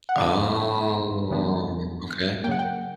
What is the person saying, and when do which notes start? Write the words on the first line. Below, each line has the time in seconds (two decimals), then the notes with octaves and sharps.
Oh, okay.
0.09 F#5
0.16 D3 G3 B3 D4 F5
1.30 C#3 E3 G3 B3 D4
2.44 A#3 G5
2.47 C#3 F#3 F#5
2.59 G5